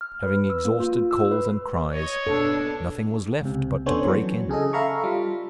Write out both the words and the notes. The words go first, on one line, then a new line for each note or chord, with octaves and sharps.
Having exhausted calls and cries, nothing was left but to break in.
F6
B4
E6
A#3
F4
E6
B4
C#5 D#5
B2 D4 A4
C#2 C3
B3 C#4 D4 A4 C5 C#5
E3 F#3
C#3 G#4 A4 D#5
A4 E5 F5 A#5 B5 C#6
G3 F4